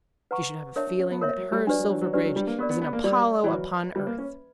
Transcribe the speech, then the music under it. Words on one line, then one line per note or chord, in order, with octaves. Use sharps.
She should have a feeling that her Silverbridge is an Apollo upon earth.
B4 F#5 A#5 C#6
D4 A#4 C#5 E5
D4
C#4
B3
A#3 A#4 C#5 E5
F#3
G3
F#3 D4 G4 B4 D5
F#3
F#3
F#3
F#3 D4 G4 B4 D5
F#3
G3
A#3
B3 G4 A#4 D5
B3
B3
A#3
G3 G4 A#4 D5
E3
F#3 B4 E5 B5
G3 B4 E5 B5
A#3
C#4